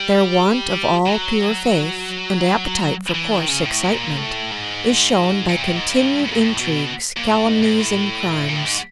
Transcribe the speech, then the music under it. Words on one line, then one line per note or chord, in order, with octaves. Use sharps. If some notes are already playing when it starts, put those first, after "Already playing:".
Their want of all pure faith, and appetite for coarse excitement, is shown by continued intrigues, calumnies, and crimes.
Already playing: G3
F#3
E3
D#3
C#3
A2
A#2
A2
G#2
A#2
A2
G#2
G2
A2
A#2
A2
B2
A#2
A2
G#2
G#2
A2
A#2
A2
G#2